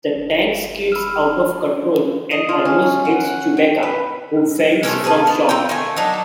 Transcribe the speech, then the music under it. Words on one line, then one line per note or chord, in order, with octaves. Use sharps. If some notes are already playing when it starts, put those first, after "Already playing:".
The tank skids out of control and almost hits Chewbacca, who faints from shock.
F#1
B5 E6 F6
D#5
F4
C#4
F#5
F#5
G5
B4
C3 A3 A#3 C#4
G#4 B4 F5 A5
B3
C4 F4 G5
D#3 A3 G#5
F#3 D4 D#4